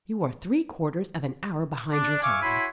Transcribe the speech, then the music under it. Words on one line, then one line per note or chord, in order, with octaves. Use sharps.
"You are three-quarters of an hour behind your time."
D4
E5 F5 G#5 C#6 D6
E4 F#4 C#5 G#5 B5 C6